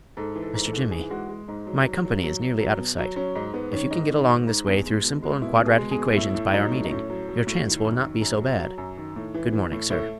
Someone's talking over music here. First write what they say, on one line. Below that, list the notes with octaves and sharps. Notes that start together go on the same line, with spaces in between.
"Mr. Jimmy, my company is nearly out of sight--if you can get along this way through simple and quadratic equations by our meeting, your chance will not be so bad--good morning, sir."
G#2 A4
E3
A4
G#2
A4
G#2
E3 G#4
G#3 F#4
G#3
G#2 D#4
F#3
F#3
F#3
F#3
F#3
F#3
B2
F#3
F#3 C#4
G#2 D#4
G#2 B3
D#3 C#4
G#2 D#4
D#3
G#2
G#2
E2
G#3
B2
G#3
B2 E4
B2
G#4
G#3
G#4
B2
A2 E4
A2
F#3 D#4
A2
D#4
A2 C#4
F#3
F#3
A2
D#3
F#2
D#3
F#2
F#3
F#3
F#2
D#3
A2
E3
E3
A2
A2 A3